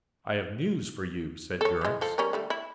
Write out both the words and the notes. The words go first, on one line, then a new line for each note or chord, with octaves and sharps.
"I have news for you," said Durrance.
A4 C#5
E3 G#3
F3 A4
G3 C#4 A#4
D3 G3 A3
E4